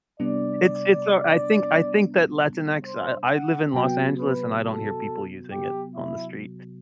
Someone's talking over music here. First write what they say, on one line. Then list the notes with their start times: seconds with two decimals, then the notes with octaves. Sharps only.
It's it's, uh, I think I think that Latinx I I live in Los Angeles, and I don't hear people using it on the street.
0.20 C3 G3 B3 D4 D5
2.85 C5
3.29 F#5
3.74 C3 F#3 B3 F#4 G5
4.19 B4
4.62 A4
5.51 G4
5.95 E4